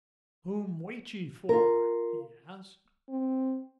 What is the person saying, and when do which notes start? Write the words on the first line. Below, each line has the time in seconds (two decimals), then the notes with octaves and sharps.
'Whom wait ye for?' he asked.
1.49 F4 A#4
3.10 C4